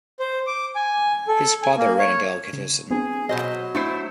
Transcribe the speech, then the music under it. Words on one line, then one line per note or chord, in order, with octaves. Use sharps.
His father ran a delicatessen.
C5
D6
G#5
A4
G#5
A#3
C#5
C#3
B3 C4 D4 G#4
B2 F#3 C5 D#5
A3 D4 E4 C5 C6 C7